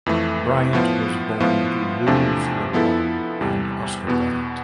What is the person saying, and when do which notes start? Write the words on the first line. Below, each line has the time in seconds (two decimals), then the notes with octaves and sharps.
Bryant was born to Luz Lebron and Oscar Bryant.
0.06 F2 E3 A3
0.73 A2 F3 B3
1.40 A2 F3 B3 F4
2.07 E2 C3 F3 A3 D4
2.73 F3 B3 E4 A4
3.41 E2 C3 G3
4.07 E2 B2 B3